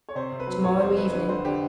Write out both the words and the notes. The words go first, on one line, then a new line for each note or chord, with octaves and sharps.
"To-morrow evening."
C#5
C3 C5
C3
B4
F#3
F1 C#5
F2 C5
F2 B4
D3 B4
D3 C5
D3 G4